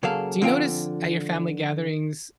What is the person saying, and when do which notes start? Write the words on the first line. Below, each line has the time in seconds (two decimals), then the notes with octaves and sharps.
do you notice at your family gatherings,
0.03 C#3 F#3 A#3 G#4 A4 F5
0.42 D3 F3 C4 F4 G5